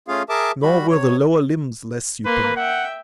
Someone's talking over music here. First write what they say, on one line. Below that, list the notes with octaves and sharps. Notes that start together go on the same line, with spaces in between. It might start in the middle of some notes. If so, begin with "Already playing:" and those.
Nor were the lower limbs less superb.
A3 C#4 F4 G#4 F5
G#4 A#4 E5 A5 D6
G3 F#4 B5
C3 C#5
A#3 B4 C6
E5 F#5 G5